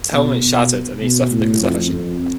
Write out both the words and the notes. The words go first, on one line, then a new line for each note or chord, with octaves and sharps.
His helmet shattered, and he suffered a concussion.
B2
B2
B2
A2
F2
F2